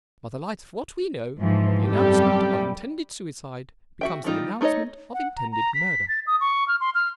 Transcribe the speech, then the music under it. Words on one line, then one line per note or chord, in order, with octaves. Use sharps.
By the light of what we know, the announcement of intended suicide becomes the announcement of intended murder.
G#2 E3 F3
F#2 C3 G3 G4 A4
F#4 E5 G5
E3 G3 D#4 F4 G4
A3 D#4 B4 C#5 D#5
F#5
A#5
A#5
B6
A6
D#6
C#6
F6
C6
F6